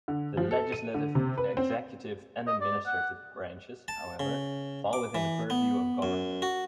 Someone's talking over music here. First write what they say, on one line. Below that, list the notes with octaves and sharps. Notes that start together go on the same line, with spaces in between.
The legislative, executive, and administrative branches, however, fall within the purview of government.
D3
F3
A4
D#7
D3
C3
B4
C4
D#5
D5
F#5
A5
C#3
D6
E3
B3
F#2
F#4